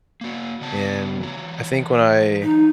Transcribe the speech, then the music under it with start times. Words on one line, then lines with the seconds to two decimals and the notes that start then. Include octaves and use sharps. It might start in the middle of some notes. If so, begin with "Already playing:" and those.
And, I think when I
0.21 A#3 F#4
0.61 C#3 B3 A5
1.20 E3 F#3
2.43 D#4